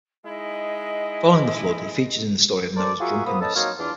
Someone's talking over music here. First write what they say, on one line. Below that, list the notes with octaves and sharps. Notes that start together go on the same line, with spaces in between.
Following the Flood he features in the story of Noah's drunkenness.
G#3 D#4 E4 D#5
A4 A#4 C5 D5
F4 F#4 G#4 A#4 E5 C#6
F3 A#3 B3 B4 D#6
C#4 A4 B4 D#5 A5
F#3 A#3 C4 D#4 C#5 F5
E2 D4 F4